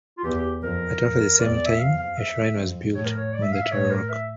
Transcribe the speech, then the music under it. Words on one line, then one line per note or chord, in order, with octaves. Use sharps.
At roughly the same time, a shrine was built on the Tyr Rock.
F4
E2 G4
G4
F2 A#4
F2
E2 D5
D5
E5
F2 F5
F5
E5
F2
A2 C#5
A#4
C#5
D5
E5
F5
E5
A2 C#5
A#4
E5